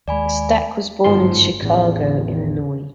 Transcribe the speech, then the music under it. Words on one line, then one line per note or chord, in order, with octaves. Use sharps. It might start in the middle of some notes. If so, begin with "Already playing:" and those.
Stack was born in Chicago, Illinois.
D#2 G#3 D5 G#5 B5
G1 G#2 F3 C6
A1 E2